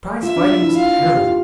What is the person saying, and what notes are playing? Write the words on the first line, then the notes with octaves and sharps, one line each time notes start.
Prize-fighting is terrible.
F4 E5
D4
F4
E4
F4 F5
F4
G4
F4